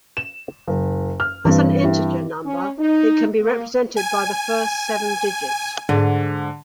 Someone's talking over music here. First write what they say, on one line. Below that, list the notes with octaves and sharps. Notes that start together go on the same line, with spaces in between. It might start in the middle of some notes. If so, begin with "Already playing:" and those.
As an integer number, it can be represented by the first seven digits.
E7
F#1
F6
G2 E3 C4
E4 G4
C#4
D#4
A#3
G#5
G#2 D3